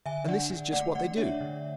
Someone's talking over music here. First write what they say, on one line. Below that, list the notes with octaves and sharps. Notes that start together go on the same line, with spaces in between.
And this is just what they do.
D3 E5 G#5
D4 D5 F#5
D3
A3 D5 F#5
D3 D5 F#5
D4 C#5 E5
D3